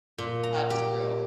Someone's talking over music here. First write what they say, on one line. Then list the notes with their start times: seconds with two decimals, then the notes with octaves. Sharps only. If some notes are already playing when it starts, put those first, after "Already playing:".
That's true.
0.18 A#2
0.43 A#5
0.70 G4